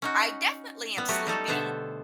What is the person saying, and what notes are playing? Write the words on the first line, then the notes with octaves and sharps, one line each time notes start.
I definitely am sleeping
C#4 D#4 F#4
G3 B3
F#3 A3 F#4 G4 B4
G3 D#4 A4
B2 D3 B3 C5 E5